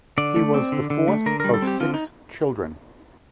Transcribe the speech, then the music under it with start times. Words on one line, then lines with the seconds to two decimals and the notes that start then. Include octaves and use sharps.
He was the fourth of six children.
0.18 D3 D5
0.36 A3
0.54 C4
0.72 D3
0.90 D3
1.08 A3
1.26 D3 A#4
1.40 A#4
1.44 G3
1.54 A4
1.62 C4 G4
1.80 D3 F4
1.94 D#4